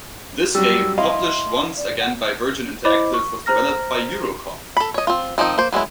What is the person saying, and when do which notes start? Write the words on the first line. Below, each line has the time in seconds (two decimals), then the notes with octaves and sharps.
This game, published once again by Virgin Interactive, was developed by Eurocom.
0.55 F#3 G3 E6
0.98 E4 D#5 F5 C6
1.77 D5
2.00 F#5
2.85 E4 C5 C#5 D#5 B5 D6
3.14 C#6
3.46 C5 A#5 F6 A#6
4.77 A4 B5
4.94 C#5 D#5
5.07 C4 F4
5.38 D#3 F3 C4 D#4
5.58 A#3 C5
5.73 F#3 G#3 B3 E4